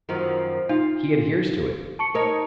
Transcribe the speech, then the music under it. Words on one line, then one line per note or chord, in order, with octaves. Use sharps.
He adheres to it.
F#2 D#3 F3
D#4 F4
A5 C#6 C#7
D#4 A#4 C#5